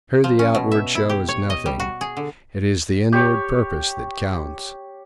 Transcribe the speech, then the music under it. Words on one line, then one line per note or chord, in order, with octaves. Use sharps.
Here the outward show is nothing, it is the inward purpose that counts.
F3
C#4
B2
E5
E4
G4
C#5
D#5
G3
F#4
G#4
D3
G4 C#5